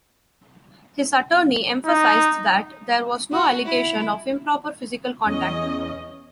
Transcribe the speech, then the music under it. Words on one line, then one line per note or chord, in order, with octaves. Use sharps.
His attorney emphasized that there was no allegation of improper physical contact.
D#4
F#4
E4
E2 C#4 D#5